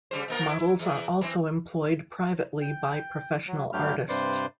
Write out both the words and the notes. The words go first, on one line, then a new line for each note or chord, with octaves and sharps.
Models are also employed privately by professional artists.
C#3 G3 C5
B2 A#3 A#4
E4
E2
E3 C4
G5
F#3
G2 F#3 G3 A3 G4 F6
G2 C3 B4 C5 D5 C6